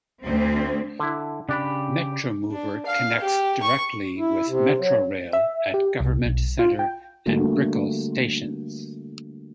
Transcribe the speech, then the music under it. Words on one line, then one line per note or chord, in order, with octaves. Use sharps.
Metromover connects directly with Metrorail at Government Center and Brickell stations.
D2 C4
D3 E4
C#3 D4 G4 B5
D4
F5
G4
C#6
E4
C3
F#3
E5
G4
C2
B1
F4
G5
D3 G3 A3 A#3 F#4 A#4